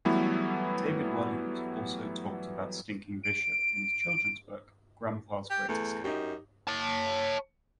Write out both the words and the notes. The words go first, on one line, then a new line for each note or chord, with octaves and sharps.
David Walliams also talked about Stinking Bishop in his children's book, Grandpa's Great Escape.
E3 F#3 G3 A3 B3 E4
D7
G4
E2 A3
F#2 D#4 G4
C#5 A5